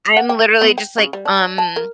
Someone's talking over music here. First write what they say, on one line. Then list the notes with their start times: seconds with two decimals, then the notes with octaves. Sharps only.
I'm literally just, like, um
0.17 F#5
0.29 G5
0.61 B3
0.78 G5
0.98 C#3
1.13 G3
1.25 D4
1.58 A5
1.76 A#4